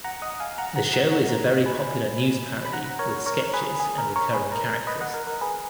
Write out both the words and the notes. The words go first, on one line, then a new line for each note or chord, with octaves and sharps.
The show is a very popular news parody with sketches and recurring characters.
F#5 A#5
D#5 F#5
F5 G#5
F#5 A#5
F#5 A#5
F#5 A#5
F#5 A#5
G#5 B5
B5
F#5 A#5
A#4 C#5
A#4 C#5
G#4 B4
G#4
A#4
A#4 C#5
G#4 B4
A#4
A#4
B4 D#5
D#5 F#5
A#4
A#4
G#4 B4